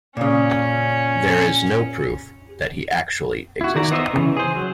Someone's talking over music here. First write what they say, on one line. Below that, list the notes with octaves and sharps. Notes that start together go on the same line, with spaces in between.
There is no proof that he actually existed.
A#2 C#3 C#4
E4 F#4
D#3 D5 A#5
B3 D#4 C5 D#5 E5
C#3 E3
G#4 C5
F#3